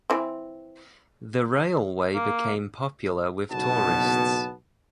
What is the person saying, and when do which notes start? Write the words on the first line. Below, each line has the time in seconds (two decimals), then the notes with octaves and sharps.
The railway became popular with tourists.
0.10 E3 C4
2.15 A#3
3.50 F#1 B1 B2 B3 A5